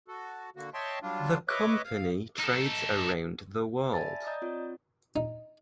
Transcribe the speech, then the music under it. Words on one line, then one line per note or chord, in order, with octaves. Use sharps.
The company trades around the world.
F#4 A4
D3 A#3 F#4
C#5 D#5 E5 G5 A5 C6
F#3 G3 D4 F4
B4 C#5 D#5 E5 D6
F5
D#4 A4
D5 E5 G#5 A5 B5 A6
D5 D#5 A#5 D#6 G6
C4 F4 C#5
D#4